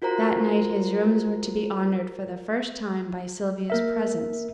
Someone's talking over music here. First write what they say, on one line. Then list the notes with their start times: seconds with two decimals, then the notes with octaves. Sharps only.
That night his rooms were to be honoured for the first time by Sylvia's presence.
0.02 F4 F#4 A#4 C5 A#5
3.70 A#3 A#4 E5